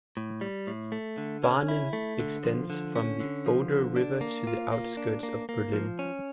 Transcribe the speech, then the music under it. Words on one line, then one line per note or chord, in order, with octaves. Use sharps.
Barnim extends from the Oder River to the outskirts of Berlin.
A2
G3
A2
A3
D3
C#4
E4
A3
D3
F3
D3
C#4
D3
F3
D3
D4
A#3
F4
A#3
D4
A#3
A#3
F3
C#4